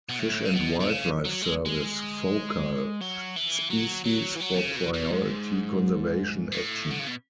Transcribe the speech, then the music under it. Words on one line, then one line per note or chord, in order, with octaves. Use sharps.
Fish and Wildlife Service focal species for priority conservation action.
B2
A2
C#3
B2
B2
C#3
F#3
G#3
G#3
F#3
E3
F#3
F#3
E3
F#3
B2
C#3
B2
B2
G#2
A2
D3
C#3
B2